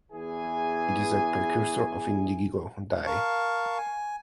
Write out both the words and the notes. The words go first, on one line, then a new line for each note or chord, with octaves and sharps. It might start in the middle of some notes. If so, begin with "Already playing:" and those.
It is a precursor of indigo dye.
E2 E3 G#4 G#5
A#4 F5 A5 C#6
G#5